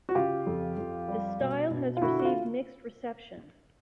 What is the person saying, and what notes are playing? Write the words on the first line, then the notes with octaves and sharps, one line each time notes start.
The style has received mixed reception.
F#4
C#3 F4 G4
F2
F2
G3
B2
B2
F4
D3 E4 F#4
F#4
F4